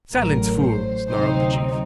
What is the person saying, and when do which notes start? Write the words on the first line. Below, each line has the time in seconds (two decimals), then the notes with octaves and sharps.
"Silence, fool!" snarled the chief.
0.12 A1 A2 F#3 A#4
0.60 C5
1.07 D2 C3 F#3 C4 D#4 C5